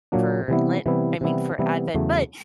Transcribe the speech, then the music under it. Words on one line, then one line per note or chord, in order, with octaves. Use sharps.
for Lent I mean, for Advent, but
A#2 F#3 A#3 D4
C3 E3 G3 B3 E4
C3 E3 G3 B3 E4
C3 E3 G3 B3 E4
C3 E3 G3 B3 E4
E2 C#3 F#3 A3